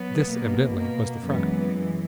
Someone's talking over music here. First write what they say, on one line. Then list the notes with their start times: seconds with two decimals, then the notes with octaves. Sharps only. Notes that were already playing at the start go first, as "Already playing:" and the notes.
This, evidently, was the front.
Already playing: F#3 B3
0.26 B2 A#3
0.75 A#3
1.24 F#2 E3 G#3 B3